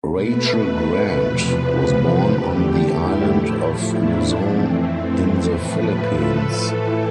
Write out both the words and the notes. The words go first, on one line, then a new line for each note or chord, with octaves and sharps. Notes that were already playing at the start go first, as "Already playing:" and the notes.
Rachel Grant was born on the island of Luzon in the Philippines.
B2 A3 B4
E2 C3 F3
E2 D3 A3 G4
E4
A2 F3 A3
D4
F2 E3 A3 C4
C4
A2 F3 A3 B4
A4
A2 E3 A3